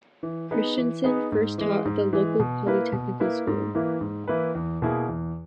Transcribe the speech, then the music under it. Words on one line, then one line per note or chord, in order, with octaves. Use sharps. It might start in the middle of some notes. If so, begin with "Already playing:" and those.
Christiansen first taught at the local polytechnical school.
E3
B3 D#4 G#4 B4
E3
B3 D#4 G#4 B4
G#2
E3 G#3
G#2
E3 G#3
B2
A#3 E4 B4
B2
A#3 E4 B4
G#2
E3 A#3 E4 B4
G#2
E3 A#3 E4 B4
E2
B2 A#3 E4 G#4
E2